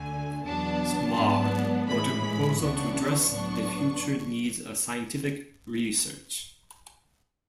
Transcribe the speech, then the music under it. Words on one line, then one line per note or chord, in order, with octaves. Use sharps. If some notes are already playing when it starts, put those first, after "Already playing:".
Smarr wrote a proposal to address the future needs of scientific research.
Already playing: D2 D3 A3 G#5
E2 B2 F#3 B3 D4 A5
G#2 F#3 B3 D4
A2 E3 G#3 B5
C#2 C#3 E3 B3 D4 C#6
C#6
A2 F#3 B3 D4